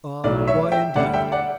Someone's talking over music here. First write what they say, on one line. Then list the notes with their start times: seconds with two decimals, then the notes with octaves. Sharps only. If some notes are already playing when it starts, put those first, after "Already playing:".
Ah! why indeed?
0.24 B1 A2 F#3 D5
0.47 C#5 E5
0.72 E5 G5
0.96 D2 D3 G3 D5 F#5
1.13 E5 G5
1.32 D5 F#5